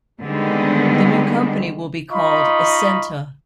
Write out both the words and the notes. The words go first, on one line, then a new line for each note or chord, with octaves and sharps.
The new company will be called Essenta.
D3 D#3 G3 G#3 B3 C4
D#4 F4 D#5 B5 C#6